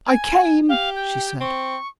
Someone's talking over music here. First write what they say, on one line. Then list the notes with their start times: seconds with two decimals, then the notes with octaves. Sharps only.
"I came," she said.
0.08 G#5
0.69 G4 F5
0.96 G5
1.41 C4 C#6